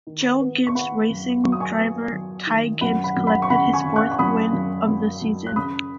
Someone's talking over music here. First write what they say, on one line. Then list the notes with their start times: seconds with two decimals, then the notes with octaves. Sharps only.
Joe Gibbs Racing driver Ty Gibbs collected his fourth win of the season.
0.07 D#3
0.41 B3
0.67 C#6
0.75 B3 F#5 B5
1.10 F#2
1.44 F#3 C#6
1.52 D#6
1.60 G#5 C#6
1.78 B3
2.12 F#3
2.47 D#3
2.81 F#2 F#5 B5
3.04 F#5 B5
3.16 F#2
3.27 F#5 B5
3.42 C#6
3.50 C#3 F#5 B5
3.73 G#5 C#6
3.84 C#3
3.96 C#6 F#6
4.12 C#6
4.19 F#2 B5 D#6
4.53 F#2
4.88 F#2
5.21 F#2
5.47 F#6
5.56 C#3 B5 D#6